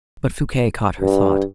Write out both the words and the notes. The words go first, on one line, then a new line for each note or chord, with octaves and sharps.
But Fouquet caught her thought.
G2